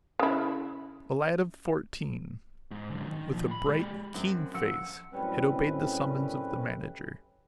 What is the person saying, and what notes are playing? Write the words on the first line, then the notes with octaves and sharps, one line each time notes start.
A lad of fourteen, with a bright, keen face, had obeyed the summons of the manager.
C#3 E4
G#2
F#2 D3
D#3
A#2 F3
B5
G#3 G4
F#2 C4
F3 F#5 E6 C#7
F#2 A2 G3 C4 C#4 B4